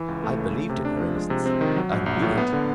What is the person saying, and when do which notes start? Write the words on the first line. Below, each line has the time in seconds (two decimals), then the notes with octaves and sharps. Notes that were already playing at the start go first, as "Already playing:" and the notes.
I believed in her innocence; I knew it.
Already playing: E3
0.08 C#2
0.24 A3
0.39 C#3
0.55 A3
0.69 C3
0.85 D4
1.00 F3
1.16 G#3
1.30 C3
1.46 C4
1.61 D#3
1.76 F#3
1.91 A#1
2.06 A#1
2.22 A2
2.38 B3
2.53 D3